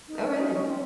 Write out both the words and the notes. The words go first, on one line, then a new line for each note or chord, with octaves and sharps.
Oh, really?
D#4
C#4
D#4
C#4
C4